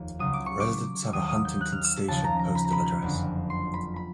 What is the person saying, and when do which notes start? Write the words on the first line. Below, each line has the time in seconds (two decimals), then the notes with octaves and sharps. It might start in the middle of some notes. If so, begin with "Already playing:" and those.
Residents have a Huntington Station postal address.
Already playing: F1 D#2
0.19 C#2 C#3 F#3 D#6
0.34 D6
0.46 C#6
0.60 D6
1.13 D#2 D#3 F#3 D#6
1.29 D#6
1.45 G6
1.61 F#6
1.72 F6
1.85 E6
2.08 D#2 C#3 F3 A5
2.24 A#5
2.39 A#5
2.55 B5
2.65 A#5
2.73 B5
3.02 F#1 F2 D3
3.50 C6
3.74 B5
3.96 B5